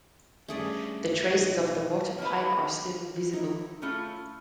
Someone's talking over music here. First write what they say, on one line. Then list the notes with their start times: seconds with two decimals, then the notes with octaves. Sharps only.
The traces of the water pipe are still visible.
0.48 G2 A3 C#4 G#4 D5
1.30 B1 D#5
2.18 A#3 D#4 B4
3.33 D#4 E4
3.82 A3 C#4 E4 F4 A4